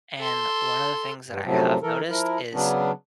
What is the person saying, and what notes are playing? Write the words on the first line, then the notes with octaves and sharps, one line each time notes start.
and one of the things that I have noticed is,
A4 C6
G2
F#2 A2 C3 F3 F#3
E3 A4 A#4
F3 E4 A#4
C#3 F#3 B3 C#4 D4